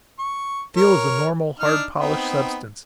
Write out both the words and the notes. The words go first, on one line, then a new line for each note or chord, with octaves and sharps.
Steel is a normal, hard, polished substance.
C#6
A#4 C#5
D4 D#4 F6
B3 C4 D#4